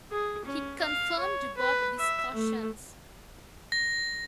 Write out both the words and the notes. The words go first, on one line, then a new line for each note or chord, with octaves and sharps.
He confirmed both discussions.
G#4
C#4
F5
C#5
B4
E5
A3
A#6